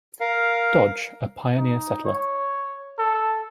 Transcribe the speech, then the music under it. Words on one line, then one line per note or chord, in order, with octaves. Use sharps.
Dodge, a pioneer settler.
A#4 F5
D#4
C#5
A4